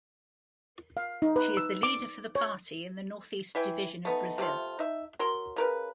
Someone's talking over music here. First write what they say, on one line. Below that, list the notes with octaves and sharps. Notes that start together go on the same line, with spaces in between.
She is the leader for the party in the northeast division of Brazil.
F5
D#4
B4
E6
D6
C#5
E3 E5 G5 G#5
A3 B3 D#4
C3 A3 F4
D#4 E5
F#3 A#4 C6
C#3 A#4 B4